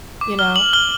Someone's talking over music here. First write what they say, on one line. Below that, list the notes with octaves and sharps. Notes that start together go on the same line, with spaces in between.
you know?
D6
F6 G7
D6 F#7
F6 G7